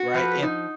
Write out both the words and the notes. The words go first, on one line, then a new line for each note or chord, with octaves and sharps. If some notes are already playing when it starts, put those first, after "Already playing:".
right? And
Already playing: F#4
F3 B4
D#4